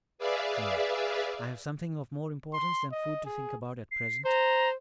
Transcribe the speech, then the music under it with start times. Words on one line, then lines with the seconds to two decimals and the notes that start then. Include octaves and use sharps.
"No, I have something of more importance than food to think about at present."
0.18 G#4 B4 D5 E5 F5
2.53 C6
2.92 D#5
3.25 G#4
3.91 C7
4.25 C5 A#5